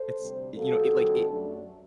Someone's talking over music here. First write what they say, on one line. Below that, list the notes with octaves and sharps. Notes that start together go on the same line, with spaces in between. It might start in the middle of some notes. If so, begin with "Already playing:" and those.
It's, you know, it, like, it
Already playing: A4 C5
D2 C3 G3
C3 G3 A#3 F#4 A4
G2 D#3 G3 C4
F#2 F#3 A3 D4